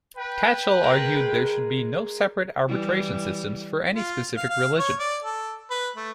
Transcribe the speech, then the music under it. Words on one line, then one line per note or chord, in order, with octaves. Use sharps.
Tatchell argued there should be no separate arbitration systems for any specific religion.
B4 G5
G#3 A#4
E3 G3 E4
F4
F5
F5
C#5
D5
A4
B4
A3